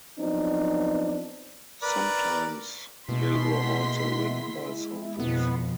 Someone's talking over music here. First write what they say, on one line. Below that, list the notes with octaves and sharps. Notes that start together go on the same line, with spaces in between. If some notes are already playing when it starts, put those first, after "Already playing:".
Sometimes they were also ridden by soldiers.
F3 F#3 B3 C4 D4 D#4
A#4 B4 D5
B2 G#3 A#3 E4 C6 B6
F2 B2 F3 B3